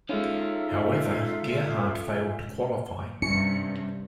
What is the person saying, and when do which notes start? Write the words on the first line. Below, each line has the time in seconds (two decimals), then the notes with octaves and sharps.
However, Gerhart failed to qualify.
0.09 G#3 C#4 D#4 F4 A4 E5 F5
3.22 G2 C3 C#4 C#7